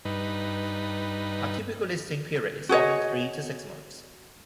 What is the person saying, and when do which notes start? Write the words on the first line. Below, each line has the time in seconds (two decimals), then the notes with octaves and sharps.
A typical listing period is often three to six months.
0.05 G2 D#4 B4
2.69 F#4 G#4 C#5 D#5